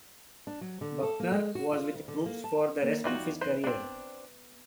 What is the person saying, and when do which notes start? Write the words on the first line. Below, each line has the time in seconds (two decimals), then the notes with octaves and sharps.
Buckner was with troops for the rest of his career.
0.47 D4
0.61 F#3
0.81 D3
1.02 A4
1.20 A#3
1.32 G#3
1.55 F#4
1.72 F4
1.94 D2
2.08 D3
2.26 A#3
2.44 A5
2.82 D#3 A#3
3.04 E2 G3 D#4 F4 F#4
3.41 B4 C5
3.64 B3 C4 D4